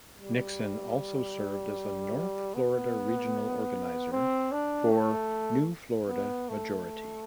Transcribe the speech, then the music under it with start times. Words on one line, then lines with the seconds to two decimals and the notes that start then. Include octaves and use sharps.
Nixon also served as the North Florida regional organizer for New Florida Majority.
0.19 G3
2.55 B3
4.12 C4
4.52 D4
4.91 A3
6.09 B3
6.49 A3